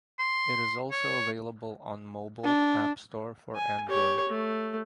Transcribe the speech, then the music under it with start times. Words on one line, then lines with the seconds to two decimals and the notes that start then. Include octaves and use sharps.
It is also available on mobile App Store for Android.
0.19 C6
0.91 C#5
2.44 D4
3.56 G#5
3.88 G4 C#5
4.29 A3